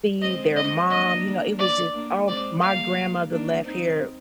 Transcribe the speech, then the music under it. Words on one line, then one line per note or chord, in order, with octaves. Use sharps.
see their mom, you know, it was just oh, my grandmother left here
G#3 C4 D#5
D#5
A#3 D4 D#5
D5
A#3 D4
G#3 C4 D5
G3 A#3 F5
A#3 D4
C4 D#4